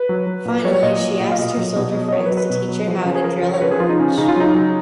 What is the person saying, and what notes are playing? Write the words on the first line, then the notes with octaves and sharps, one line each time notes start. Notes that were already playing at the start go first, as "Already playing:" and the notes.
Finally she asked her soldier friends to teach her how to drill and march.
Already playing: B4
F#3
F#3
A#2
F#3 C#5
C#5
A#2 D#5
F#3
A#2
F5
B2 D#5
F#3
B2
F#3
D#5
F#3 C#5
A#4
B4
F#3
B4
B2
F#3
F3
C#3
G#4
F3 A#4
F3 A#4
C#5
C#3 B4
G#4
F3 F4
D#4
C#3 C#4
C#3 D#4
F4
F#3 D#4
F#3